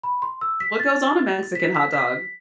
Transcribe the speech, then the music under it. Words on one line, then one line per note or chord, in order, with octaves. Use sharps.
What goes on a Mexican hot dog?
B5
C6
E6
B6
A6
B6
B6
B6